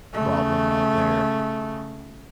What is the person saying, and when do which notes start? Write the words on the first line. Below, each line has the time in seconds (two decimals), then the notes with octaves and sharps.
problem out there.
0.13 C#3 A3